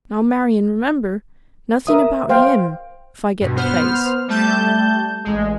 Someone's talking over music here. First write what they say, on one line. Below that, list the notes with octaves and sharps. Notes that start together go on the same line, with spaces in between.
Now, Marian, remember--nothing about HIM if I get the place.
A#4 E5 D#6
C5 F5 G5
G2 B2
B3 C5 F6
G3 A3 A5 G6
A1 G#3